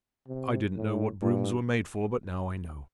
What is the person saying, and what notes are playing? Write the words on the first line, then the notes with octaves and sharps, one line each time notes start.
I didn't know what broughams were made for, but now I know.
C3
A2
G2